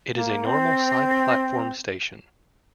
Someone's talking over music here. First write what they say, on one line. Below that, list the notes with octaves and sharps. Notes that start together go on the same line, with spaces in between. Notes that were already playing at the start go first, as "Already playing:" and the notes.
It is a normal side platform station.
A#3
C4